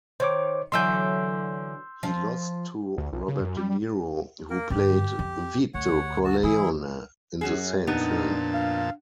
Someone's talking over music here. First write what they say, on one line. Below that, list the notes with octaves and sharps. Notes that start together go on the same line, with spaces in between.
He lost to Robert De Niro, who played Vito Corleone in the same film.
D#3 C5 C#5 D6
D3 E3 F#3 C6 E6 G6
F3
D2
B1
C#3
F#2
G3
A#3 A#4
G2 D3 G4
F2
D2 C#5 F#5
F#4 A5
E3 E4 G#4
F#2 C#4 F#4 G#4
F2 A#2 B3 D4 D#4 A5
F5